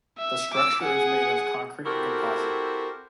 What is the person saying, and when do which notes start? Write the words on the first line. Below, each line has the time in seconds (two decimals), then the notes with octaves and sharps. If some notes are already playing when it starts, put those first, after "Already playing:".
The structure is made of concrete and composite.
0.18 E5
0.53 D6 E6
0.82 G#4 F#5
1.86 C4 E4 F#4 G4 A4 A#4